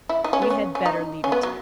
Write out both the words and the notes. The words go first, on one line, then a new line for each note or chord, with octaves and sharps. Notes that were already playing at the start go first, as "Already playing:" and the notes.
We had better leave it.
E4
D#4
C#4
B3
C#4
C#4
D#4
C#4
B3
F#3